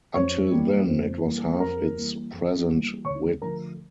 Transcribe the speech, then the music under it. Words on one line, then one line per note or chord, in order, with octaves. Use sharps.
Until then it was half its present width.
F2 C#5 C#6
E3 G3 A#3
F2
E3 G3 A#3
F2 A#4 A#5
E3 G3 A#3
F2
E3 G3 A#3
D2 C#5 C#6
D3 F3 A3 A#4 A#5